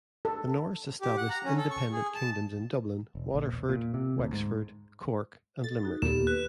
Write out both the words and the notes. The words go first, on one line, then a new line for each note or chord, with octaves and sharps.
The Norse established independent kingdoms in Dublin, Waterford, Wexford, Cork and Limerick.
A4
G4
F#5
A#5
C#4
A4
C#6
G#4
A5
E1
A#1
E1
A#2
C3
D2
G#2
A4 A6
D#4 F#4
D#2 A#2 A#3 B3 G4 A4 E7
B4 F#6